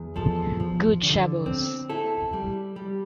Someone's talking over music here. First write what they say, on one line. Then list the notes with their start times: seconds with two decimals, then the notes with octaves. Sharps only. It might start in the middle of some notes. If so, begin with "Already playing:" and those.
Good Shabbos.
Already playing: E2
0.16 F3 A4
0.60 F3
1.03 D3
1.46 C4
1.89 E4 A4
2.33 G3
2.76 G3